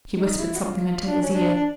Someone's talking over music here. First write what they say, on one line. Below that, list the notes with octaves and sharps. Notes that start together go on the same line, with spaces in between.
'She whispered something into his ear.
D#4
E4
F#4
F4
D4
C#4
D4
D4